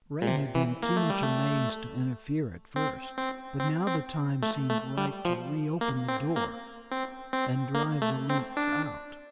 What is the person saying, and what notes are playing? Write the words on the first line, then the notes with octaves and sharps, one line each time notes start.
Ray had been too much amazed to interfere at first, but now the time seemed ripe to reopen the door and drive the lynx out.
A#2
C3
E3
A#3
A3
G3
A3
C4
C4
C4
C4
A3
A3
G3
F3
A#3
C4
A#3
C4
C4
A#3
A3
C4
D4